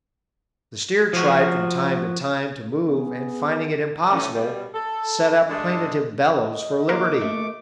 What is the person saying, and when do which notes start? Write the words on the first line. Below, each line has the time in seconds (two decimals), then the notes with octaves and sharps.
The steer tried from time to time to move and, finding it impossible, set up plaintive bellows for liberty.
1.13 F3 F#4
2.87 B3 G#4
4.12 D2 A2 E3 A3 C#4
4.34 B2 G3
4.74 A4
5.49 G2 D3 G#3 A3 D4 A4
6.37 D#5
6.89 A#3 F4 A#4 C6 D6
7.21 A3